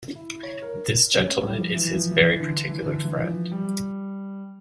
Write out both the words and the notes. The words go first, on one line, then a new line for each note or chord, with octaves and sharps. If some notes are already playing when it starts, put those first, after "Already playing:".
This gentleman is his very particular friend.
E4
C#5
A#4
C#4
A3
G3
F3
E3
F3
E3
D3
E3
D3
E3
F3
G3